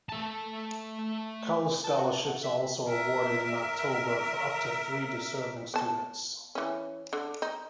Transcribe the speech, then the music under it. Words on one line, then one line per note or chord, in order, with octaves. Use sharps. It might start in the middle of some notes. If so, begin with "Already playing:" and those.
College scholarships are also awarded in October for up to three deserving students.
A3 A5
A5
F#4
A5
F#5
E5
A#4 E5
B3 A5
E3 C#4
D3
D#4